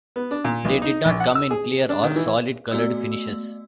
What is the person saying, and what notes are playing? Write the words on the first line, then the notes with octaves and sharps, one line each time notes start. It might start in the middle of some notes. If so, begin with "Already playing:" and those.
They did not come in clear or solid colored finishes.
B3
D4
A#2
B1
D#4
A#1
F#5
E6
G#4
D4
D#3
E3
A3 B3 F#4 D5 E6